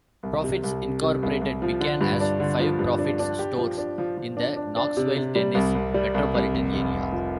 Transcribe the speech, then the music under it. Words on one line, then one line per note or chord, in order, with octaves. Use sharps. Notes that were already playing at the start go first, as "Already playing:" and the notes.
Proffitt's Incorporated began as five Proffitt's stores in the Knoxville, Tennessee metropolitan area.
C2
C3
C2
C3
C3
C2
C2
F3
D3
G2
D4
D3
F3
G2
D4
D4
G4
F3
D4
F3
F3
D4
D4
D4
C3
C3
G3
C2
C2
G3
C2
C2
F1
F1
F1
F3